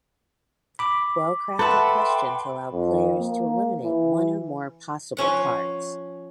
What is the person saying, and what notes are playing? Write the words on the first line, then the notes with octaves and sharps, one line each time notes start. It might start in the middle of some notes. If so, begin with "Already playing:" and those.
Well-crafted questions allow players to eliminate one or more possible cards.
B5 D6
A4 B4 E5 F#5 G5 C6
F2
A#3
E3
F3 C#4 F#5